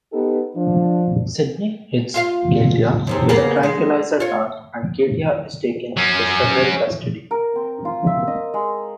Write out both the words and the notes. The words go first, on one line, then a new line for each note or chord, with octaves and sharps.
Sydney hits Katya with a tranquilizer dart and Katya is taken into federal custody.
B3 D#4 G4 A4
F3 D4
F4 E5 F5
D#2 G#2 C3
C#3 A#3 B3
G#3
F4 C#5
F#3 C#4
A#4
C4
F4
E5
D#5
G#3